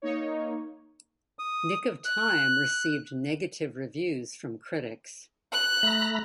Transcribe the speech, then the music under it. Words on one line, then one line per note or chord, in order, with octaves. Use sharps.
"Nick of Time" received negative reviews from critics.
A#3 D#4 C#5
D#6
F#6
F#6
A3 A#5 B5